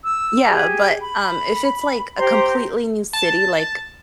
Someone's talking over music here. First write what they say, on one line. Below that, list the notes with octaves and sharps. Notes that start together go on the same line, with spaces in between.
Yeah, but, um, if it's like a completely new city, like
E6
G4 G#4
B5
G4 C5 A#5 C6
A5